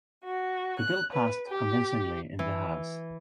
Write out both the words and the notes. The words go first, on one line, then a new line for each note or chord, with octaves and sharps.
The bill passed convincingly in the House.
F#4
F#6
B4
G4
E3